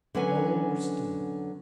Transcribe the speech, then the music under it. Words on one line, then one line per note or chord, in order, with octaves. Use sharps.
All were still.
D3 F#3 B3 C#4 G#5